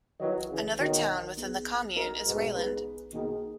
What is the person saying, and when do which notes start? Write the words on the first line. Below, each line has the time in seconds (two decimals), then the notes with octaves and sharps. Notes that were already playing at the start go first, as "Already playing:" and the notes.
Another town within the commune is Reuland.
0.19 D#3 F#3 E4 B4 D#5
0.49 C#3 E3
0.78 B2 D#3 D#4 F#4 C#5 F#5
1.37 B3 D#4 G#4
1.96 D#4 F#4 A#4 D#5
2.25 G#2 B2
2.55 B3 D#4 G#4 B4
3.13 B2 D#3 A#3 D#4 G#4